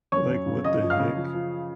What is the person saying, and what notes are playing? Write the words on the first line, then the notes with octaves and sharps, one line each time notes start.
like, what the heck?
F#2 C#5 C#6
F#2
C#3
C#3 D#5 D#6
F3
F5 F6
C#3
F3
F3